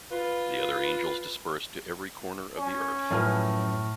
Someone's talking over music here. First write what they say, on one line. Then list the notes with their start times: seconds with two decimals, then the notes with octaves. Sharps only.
The other angels dispersed to every corner of the Earth.
0.11 F4 B4
2.56 C#4
3.11 F#2 A2 F3 B4 F6